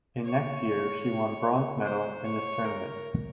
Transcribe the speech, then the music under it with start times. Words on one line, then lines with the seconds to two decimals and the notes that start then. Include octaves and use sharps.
In next year she won bronze medal in this tournament.
0.24 C#5
1.84 C5
2.24 C#5
2.65 A#4